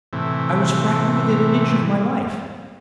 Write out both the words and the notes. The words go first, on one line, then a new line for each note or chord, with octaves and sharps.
'I was frightened within an inch of my life.
A2 C3 E3